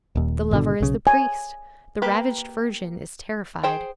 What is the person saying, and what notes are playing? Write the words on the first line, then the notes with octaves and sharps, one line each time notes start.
The lover is the priest; the ravished virgin is terrified.
D#1 D#2
G#1 B2 D3
B1 C#3
G#5
A#3 G4 B4
G#4 C5 G5